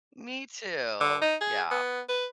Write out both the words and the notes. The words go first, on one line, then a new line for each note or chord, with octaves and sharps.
Me too, yeah.
D3
D#4
G#4
B3
B4